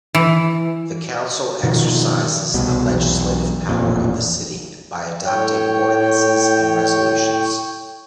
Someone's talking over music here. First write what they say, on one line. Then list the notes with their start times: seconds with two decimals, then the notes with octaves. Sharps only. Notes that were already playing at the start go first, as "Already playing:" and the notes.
The council exercises the legislative power of the city by adopting ordinances and resolutions.
0.15 E3
1.63 B2 D#3 F3
2.54 C2 B2
2.89 B1 E2
3.69 E1 A1 F2 A#2
5.25 A2 C#5 G5